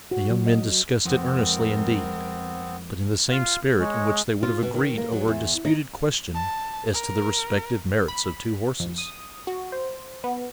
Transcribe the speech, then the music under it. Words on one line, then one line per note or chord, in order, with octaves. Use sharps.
The young men discussed it earnestly, indeed, but in the same spirit in which they would have agreed over a disputed question as to the respective merits of two horses.
F#4
F#3
D#5
F2 G#3 B3 C4 A#4
F4
G#3 C#5
F4
B2
D#3
A#3
F#3
E2
D#4
A5
A#4
B5
F2
D#6
F#4
C5
B3